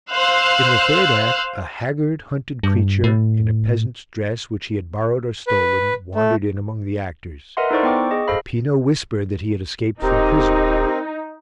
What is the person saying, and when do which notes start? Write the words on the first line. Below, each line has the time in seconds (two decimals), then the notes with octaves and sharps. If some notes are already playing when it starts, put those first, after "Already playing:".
In the third act a haggard, hunted creature, in a peasant's dress which he had borrowed or stolen, wandered in among the actors; Peppino whispered that he had escaped from prison.
0.11 C5 F5 E6 F#6
2.63 G2
3.04 A2
5.47 B4
6.15 A3
7.57 A#4 B4 D#5 E5 F#5 C6
7.71 D#4 E4 A4 C5 D5 C#6
7.83 B3 G5 D6
7.96 C#6
8.11 G#4 D#5
8.28 G#4 A4 C5 F5 B5
10.02 D#1 C4 D#4 G4 A#4